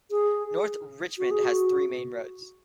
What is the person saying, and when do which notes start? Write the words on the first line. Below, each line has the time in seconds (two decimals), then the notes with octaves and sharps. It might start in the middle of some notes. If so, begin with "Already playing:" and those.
North Richmond has three main roads.
0.11 G#4
1.18 F#4
1.31 G#4
1.44 F#4